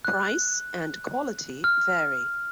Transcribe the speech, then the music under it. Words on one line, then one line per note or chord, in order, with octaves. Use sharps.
Price and quality vary.
F#6
F6